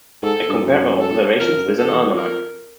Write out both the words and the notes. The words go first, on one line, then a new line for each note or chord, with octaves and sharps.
I compared my observations with an almanac.
G#2 A4
G2
F#2
A4
F2 A#4
F#2
G2
F2 A4
E2
F2
A#4